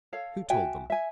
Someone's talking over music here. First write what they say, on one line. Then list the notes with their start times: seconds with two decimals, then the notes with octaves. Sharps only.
"Who told them?"
0.13 A4 C#5 F5
0.50 F#4 E5 G5 G#5
0.90 E5 G#5